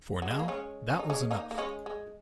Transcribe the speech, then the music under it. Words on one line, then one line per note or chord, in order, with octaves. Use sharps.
For now, that was enough.
F#3
G#3
A#3
G#3 C#4
C#4
D#4
G#3 C#4
A#3 D#4
A#3
G#3 C#4
G#3